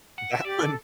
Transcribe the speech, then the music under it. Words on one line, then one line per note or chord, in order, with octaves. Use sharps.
That one
F#5
E5
G4 D5
A4